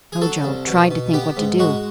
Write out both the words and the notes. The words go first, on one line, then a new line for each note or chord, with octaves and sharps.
Ojo tried to think what to do.
G#4
F#3 A4
C2
B2
B2
B3 G4
G#2
G#3 F#4